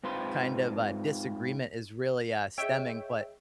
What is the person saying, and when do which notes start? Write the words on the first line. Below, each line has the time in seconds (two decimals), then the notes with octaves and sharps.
kind of, uh, disagreement is really, uh, stemming. But
0.04 G#2 C4 F4 B4 C6
2.58 G#4 C#5 D#5 E5 G5 D7